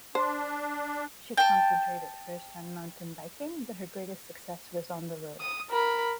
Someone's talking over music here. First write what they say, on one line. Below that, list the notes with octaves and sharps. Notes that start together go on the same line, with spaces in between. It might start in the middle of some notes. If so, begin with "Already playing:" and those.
She concentrated first on mountain biking but her greatest success was on the road.
D4 C5
G5 A5
D#6
A#4 B5